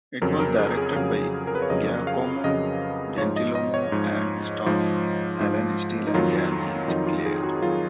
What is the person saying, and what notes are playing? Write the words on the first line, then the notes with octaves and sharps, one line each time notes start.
It was directed by Giacomo Gentilomo and stars Alan Steel and Jany Clair.
F2 C#3 F#3 A#4
A#4
G#4
G#4
F2 C#3 F#3 F5
A#4
B4
C#5
F2 C#3 F#3 D#5
F5
F2 C#3 F#3 D#5
G#2 F3 C#5
D#5
D#5
C#5
G#2 F3
G#2 F3
G#2 F3
D#4
F2 D#3 F#3 F4
F2 D#3 F#3 D#4
F4
G#4
F#4
D#3 F#3 F4